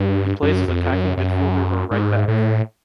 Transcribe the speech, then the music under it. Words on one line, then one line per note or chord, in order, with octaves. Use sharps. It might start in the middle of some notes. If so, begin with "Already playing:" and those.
He plays as attacking midfielder or right back.
Already playing: G2
F#2
F2
F#2
F#2
G#2
A2